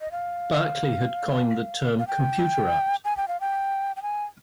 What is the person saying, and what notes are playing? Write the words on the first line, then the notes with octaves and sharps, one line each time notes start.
Berkeley had coined the term Computer Art.
D#5
F5
F5
G5
G#5
G5
F5
G5
G5
G#5